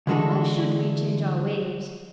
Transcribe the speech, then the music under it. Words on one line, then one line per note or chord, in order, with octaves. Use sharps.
Why should we change our ways?
D3 E3 G#3 D4 F#4 A4